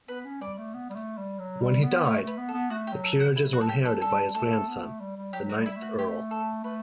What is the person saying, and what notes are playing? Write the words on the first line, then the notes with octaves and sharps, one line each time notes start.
When he died the peerages were inherited by his grandson, the ninth Earl.
B3 B4
C#4
G3 D5
A3
B3
G3
A3
G3
F#3
G3
B3
A3 C#5
A3
B4
B3
A4
B3
A3 F#4
G4
F#3
A4
F#3
F#4
F#3 E4
F#4
A4
G4
A4
G3 A4
A3 A4
B3
A3
G3
G3
F#3 G4
F#4
G3
E4
A3
F#4
A3 G4
A4
A3 B4